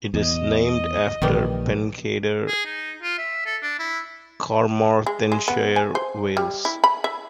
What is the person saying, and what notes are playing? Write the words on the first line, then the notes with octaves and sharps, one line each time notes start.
It is named after Pencader, Carmarthenshire, Wales.
E2 D#5
A#1 D#3 E3 G3
G#4
D#4
F4
E5
A4
D4
E4
G#3
G#3
B3
G#5
C5
G3
E4
B5
E5